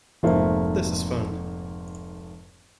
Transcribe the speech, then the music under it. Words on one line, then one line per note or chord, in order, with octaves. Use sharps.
This is fun!
F1 G#2 A3 A#3 C5